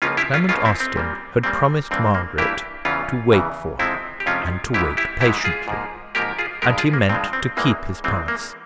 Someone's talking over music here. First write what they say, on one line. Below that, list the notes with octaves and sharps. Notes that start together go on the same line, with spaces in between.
Clement Austin had promised Margaret to wait for her, and to wait patiently; and he meant to keep his promise.
C#2 C#3 F3 A#3 C#4 F4
E4 G4
C#4 F4
C#2 C#3 F3 A#3 C#4 F4
C4 E4
C4
A#2 G3 A#3
A#2 G3 A#3 C4
G2 E3 A#3 C4
A#3
G2 E3 A#3 E4 G4
E2 C#3 E3 C#4 F4
E2 C#3 E3
F2 C3 F3 G#3 C4 E4
G4
F2 C3 F3 G#3 C#4 F4
G#2 E3 G#3 E4 G4
E4 G4
G#2 E3 G#3 E4 G4
F4 G#4
G#2 F3 A#3
G#2 F3 A#3 G4 A#4
F4 G#4
G2 F3 G#3 G4 A#4
F4 G#4
A#3
G2 F3 G#3 C4
C4
E2 E3 G#3 A#3
E2 E3 G#3 C4
A#3